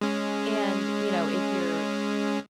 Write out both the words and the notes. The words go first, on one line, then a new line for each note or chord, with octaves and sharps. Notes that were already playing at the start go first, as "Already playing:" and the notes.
And, you know, if you're
G#3 C#4